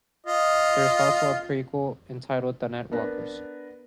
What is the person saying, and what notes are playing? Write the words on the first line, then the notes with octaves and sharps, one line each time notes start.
There's also a prequel, entitled the "'NetWalkers".
F4 D#5
B3 D4 A#4 B4